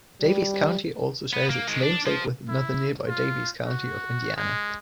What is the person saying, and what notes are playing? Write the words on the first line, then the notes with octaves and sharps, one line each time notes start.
Daviess County also shares its namesake with another nearby Daviess County of Indiana.
G3
B3
A#3
D#3 G#3
D4
F3
E4
F4
F#4
G#3